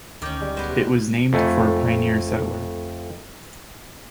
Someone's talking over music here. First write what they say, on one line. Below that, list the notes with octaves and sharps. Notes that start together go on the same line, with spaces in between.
It was named for a pioneer settler.
D2 D#3 C#4 D6 G6
G3 G#3
G#3 B3 B4
C3
F2 A3 G#5